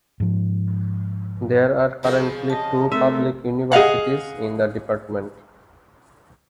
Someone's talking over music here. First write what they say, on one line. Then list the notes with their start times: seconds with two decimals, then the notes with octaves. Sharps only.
There are currently two public universities in the department.
0.20 G#2 F3
2.03 C#3 F3 G#3
2.50 D#5 A5
2.92 A3 C4 A#4 E5
3.72 G#4 D#5 F5 F#5